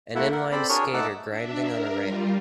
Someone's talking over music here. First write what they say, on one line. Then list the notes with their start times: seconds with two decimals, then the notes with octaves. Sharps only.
An inline skater grinding on a rail.
0.15 A3 A#3 E4 A4 E5 F#5
0.32 A#4 F#5
0.52 C4 A4 C5 D5 B5
0.69 D4 F#4 G#4 A#4 C#5
0.94 A3 D#4 F#5 A5 D6 E6
1.29 D4 E5
1.60 A#4
2.02 G3 F4